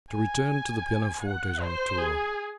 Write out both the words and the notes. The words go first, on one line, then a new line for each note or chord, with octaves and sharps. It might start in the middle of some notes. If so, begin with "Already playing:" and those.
But to return to the pianofortes on tour.
G#5
F#5
C5
G#4